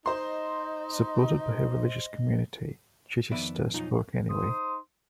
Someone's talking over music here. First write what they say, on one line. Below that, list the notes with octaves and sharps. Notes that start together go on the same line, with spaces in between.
Supported by her religious community, Chittister spoke anyway.
D#4 C5 D#5 C6
F2 D#3 B3 D5 E5 B5
B1 F2 D#4 F4 A#5
D#4 C5 C6 D#6